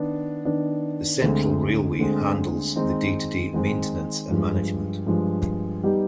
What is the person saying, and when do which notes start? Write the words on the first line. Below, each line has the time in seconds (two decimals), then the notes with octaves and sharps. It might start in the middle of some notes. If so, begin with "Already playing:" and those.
The Central Railway handles the day-to-day maintenance and management.
Already playing: D#3 B3 D4
0.45 D#3 B3 D4
1.22 D2 D3 G#3 C4
1.99 D2 D3 G#3 C4
2.75 D#3 G#3 C4 D#4
3.53 D#3 G#3 C4 D#4
4.30 G2 F3 G#3
5.06 G2 F3 G#3
5.83 G3 B3 D#4 G4